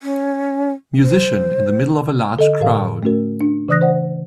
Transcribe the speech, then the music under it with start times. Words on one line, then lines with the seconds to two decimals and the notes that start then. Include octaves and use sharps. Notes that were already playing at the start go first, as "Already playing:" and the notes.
Musician in the middle of a large crowd.
0.03 C#4
1.03 C5
2.37 D3 A4 D#5
2.60 A2 A#4 F5
3.03 A3 C#4 F#4 A#4
3.41 D4
3.68 C#3 E3 D5 D#6 F#6 A#6
3.81 C5 D5 F#5